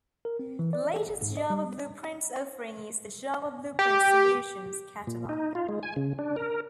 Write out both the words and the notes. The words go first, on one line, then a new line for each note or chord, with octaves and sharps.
The latest Java BluePrints offering is the Java BluePrints Solutions Catalog.
A#4
C4
E3
D5
A4
G#1
G#2
D#5
G3
G4
A#2
D#4
F4
G#3
G#5
C#3
D4
A#4